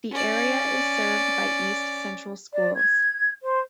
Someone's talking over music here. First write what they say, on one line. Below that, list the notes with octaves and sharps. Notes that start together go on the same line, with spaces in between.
The area is served by East Central Schools.
C#4 D5
D5
G#6
C5